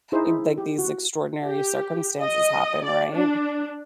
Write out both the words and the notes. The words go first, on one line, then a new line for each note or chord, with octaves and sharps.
eh, g like, these extraordinary circumstances happen, right?
D#4 E4 G#4 C5
E4
G4
F#4
G4
D#5
D5
D4